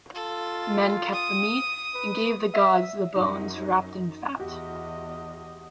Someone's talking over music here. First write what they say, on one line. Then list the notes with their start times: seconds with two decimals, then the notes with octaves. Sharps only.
Men kept the meat, and gave the gods the bones wrapped in fat.
0.14 F4 A4
1.13 D#6
1.95 B4
2.54 E5
3.16 F#2 D#4
4.40 E2 F#4 G4 D#5